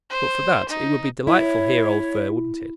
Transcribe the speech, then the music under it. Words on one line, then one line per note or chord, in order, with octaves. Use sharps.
"But for that, it would be delightful here, old Fir, wouldn't it?"
C5
D#4
E4 C#5